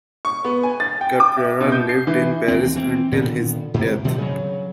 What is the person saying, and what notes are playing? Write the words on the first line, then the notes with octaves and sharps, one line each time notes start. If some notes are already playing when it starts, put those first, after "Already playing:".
Caprara lived in Paris until his death.
C#6
B3
G#5
A6
G5
D6
E5
B2
G6
C7
E3
D#2 E3 A#3 C4
E3 C4
A#2 D3 D#3 B3
G#2 C3 A#3
B2 D#3 F3 G3
C#3 F#3